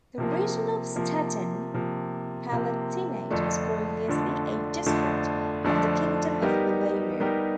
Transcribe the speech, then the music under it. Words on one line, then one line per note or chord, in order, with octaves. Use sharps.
The region of Stetten, Palatinate was previously a district of the Kingdom of Bavaria.
C3 F3 A#3
C3 F3 A#3
C3 F3 A#3
C3 F3 A#3
F2 D3 F3 A3 D4
F2 D3 F3 A3 D4
F2 D3 F3 A3 D4
F2 D3 F3 A3 D4
G3 B3 D#4 G4 A#4
G3 B3 D#4 G4 A#4